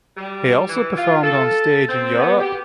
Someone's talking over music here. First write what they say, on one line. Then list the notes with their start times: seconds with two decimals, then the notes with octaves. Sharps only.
He also performed on stage in Europe.
0.17 G3
0.68 E3
0.97 F4
1.23 A4
1.89 C4
2.20 B3
2.40 G4